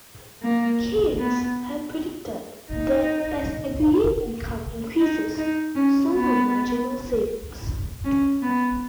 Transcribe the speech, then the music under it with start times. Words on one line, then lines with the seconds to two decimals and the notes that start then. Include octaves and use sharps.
Keynes had predicted that as aggregate income increases, so will marginal savings.
0.43 A#3
1.18 B3
2.71 D#4
4.99 D#4
5.38 D#4
5.75 C#4
6.13 B3
8.04 C#4
8.42 B3